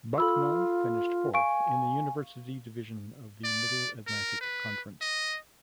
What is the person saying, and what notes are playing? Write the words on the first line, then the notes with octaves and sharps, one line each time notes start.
Bucknell finished fourth in the University Division of the Middle Atlantic Conference.
F4 A4 B5 E6
F5 G#5 C#6 D7
D5
A#4
B4
D#5